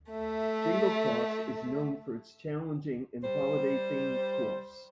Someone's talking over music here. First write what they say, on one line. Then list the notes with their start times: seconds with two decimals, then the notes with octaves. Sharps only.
Jingle Cross is known for its challenging and holiday themed course.
0.11 A3 E5
3.23 G3 C5